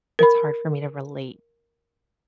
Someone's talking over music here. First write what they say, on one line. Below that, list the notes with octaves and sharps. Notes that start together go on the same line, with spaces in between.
It's hard for me to relate.
A#4 B5